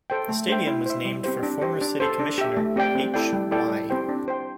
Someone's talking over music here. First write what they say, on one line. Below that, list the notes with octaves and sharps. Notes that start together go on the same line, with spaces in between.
The stadium was named for former city commissioner H. Y.
A4 C5 G5
A3
D4 C5 E5 G5
E4
C5 E5
G3
C4 G4 C5
D4
G4 C5
D4
A4 C5
D4
G4 E5
A3
C4 G4 D5 G5
C4
E4 A4 D5 G5
G3
E4 A4 D5 G5
G3
C4 G4 C5 G5
D4
C5 G5